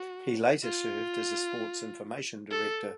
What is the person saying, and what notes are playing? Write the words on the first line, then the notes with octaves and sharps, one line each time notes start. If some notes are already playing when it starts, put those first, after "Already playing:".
He later served as a sports information director.
Already playing: F#4
F4
A4